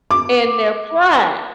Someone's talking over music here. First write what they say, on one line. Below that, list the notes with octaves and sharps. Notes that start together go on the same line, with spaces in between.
and their pride.
D6